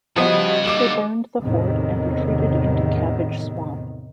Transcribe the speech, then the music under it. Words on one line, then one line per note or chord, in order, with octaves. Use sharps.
They burned the fort and retreated into Cabbage Swamp.
C#3 F3 G3 B3 F#4 D#5 G#5
D#2 D3 D6 E7 F#7
E2 A2 C3 D#3